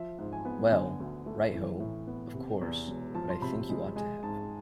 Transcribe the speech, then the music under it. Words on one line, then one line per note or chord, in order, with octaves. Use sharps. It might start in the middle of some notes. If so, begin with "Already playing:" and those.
Well, right-ho, of course, but I think you ought to have.
Already playing: F3 E5
G#2
G#5
B3
D3 G#5
D2
A3
E3
A2
B3
C3
E2
E1
F3 A5
C6
C3 B5
G#3
G#3 G#5
G#2 A5